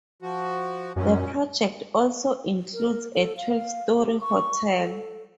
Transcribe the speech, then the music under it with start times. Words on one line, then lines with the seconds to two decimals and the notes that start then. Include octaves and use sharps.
The project also includes a twelve-story hotel.
0.22 F3 F#4
0.96 F#2 A#2 C#4
2.73 A#4
3.14 A4
3.37 F5
3.98 G4
4.21 C#6
4.77 A4